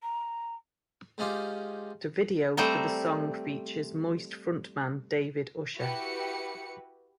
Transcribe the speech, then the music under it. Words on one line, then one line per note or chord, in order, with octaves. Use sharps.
The video for the song features Moist front man David Usher.
A#5
G#2 C#4 D#4 F4 G4
G3 A3 C4 C5 A#5
E4 F#4 G4 B4 C#7